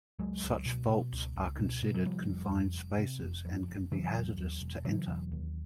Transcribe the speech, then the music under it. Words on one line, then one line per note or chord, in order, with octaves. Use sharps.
Such vaults are considered confined spaces and can be hazardous to enter.
C#2 F#3 G#3
C#2
B2
B2
C#2
C#2
B2
B2
F#3
C3 F3 G3
F1
F2
F1
C3
F1
F2
F1
C#3 E3 F#3
E1
D#2
E1
C#3 E3 F#3
E1
D#2